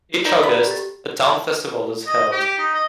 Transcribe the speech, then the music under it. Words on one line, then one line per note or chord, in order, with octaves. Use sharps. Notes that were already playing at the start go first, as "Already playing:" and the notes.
Each August, a town festival is held.
D#4 A#4 D5 A#5
B3 B5
G4 A4 A6
D#5
G4
D#4
D#5